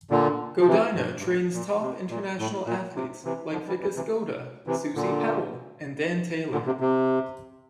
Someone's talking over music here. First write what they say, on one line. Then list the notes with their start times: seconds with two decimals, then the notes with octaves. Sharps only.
Godina trains top international athletes like Vikas Gowda, Suzy Powell and Dan Taylor.
0.11 A#2 D3
0.61 F3
0.67 C3 E3
0.96 G2
1.19 G2
1.24 A2
1.54 A#2
1.82 C3
2.10 A#2
2.39 A2
2.67 A#2
2.96 C3
3.24 C3 E3
3.53 D3 F3
3.67 E3 G3
3.81 E3 G3
3.96 C3 E3
4.67 C3 E3
4.95 A#2 D3
6.52 A#2 D3
6.66 C3
6.80 C3